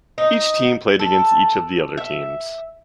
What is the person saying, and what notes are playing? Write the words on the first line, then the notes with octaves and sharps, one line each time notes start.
Each team played against each of the other teams.
D#4
A4
E5